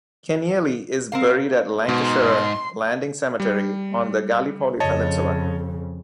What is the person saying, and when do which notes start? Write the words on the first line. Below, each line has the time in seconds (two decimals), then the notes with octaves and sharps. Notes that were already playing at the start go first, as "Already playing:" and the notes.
Kenealy is buried at Lancashire Landing Cemetery on the Gallipoli Peninsula.
1.12 C4 A#4 F5
1.89 G#2 B2 C6
3.40 G3
4.80 F2 C#3 C#5 D#5 A5